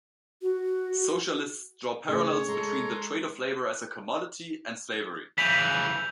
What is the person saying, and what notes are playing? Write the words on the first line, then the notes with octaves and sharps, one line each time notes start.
Socialists draw parallels between the trade of labor as a commodity and slavery.
F#4
C#3 A3 C#4 G#4 C#5
G#3 A4 A#5 C6
C#3 E3 G6 B6 F7 F#7